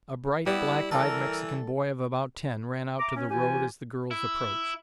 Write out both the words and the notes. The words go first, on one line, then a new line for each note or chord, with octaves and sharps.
A bright, black-eyed Mexican boy of about ten ran out to the road as the girls approached.
G3 B3 E4
E3 A4 A#4
E5 A#5 D6
C#4
D#2 E3 F4 G4 G#5
E4